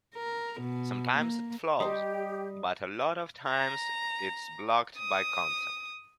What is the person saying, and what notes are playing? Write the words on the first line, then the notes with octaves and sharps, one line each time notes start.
Sometimes it flows, but a lot of times it's blocked by concept.
A#4
B2
A#3
G3 G4 D#5 C6
A#5
D#6